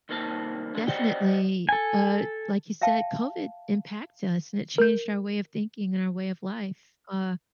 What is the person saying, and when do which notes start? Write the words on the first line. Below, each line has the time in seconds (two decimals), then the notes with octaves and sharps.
Definitely. Uh, like you said, COVID impacts us, and it changed our way of thinking and our way of life, uh,
0.09 C2 D#3 A#3 C4 C#5 A5
0.75 A#2 D3 G#3
0.87 G4 C5 D5 D#5 F#5 G5
1.69 A4 G#5
2.81 E5 F5 G5 A5
4.78 A#4 G6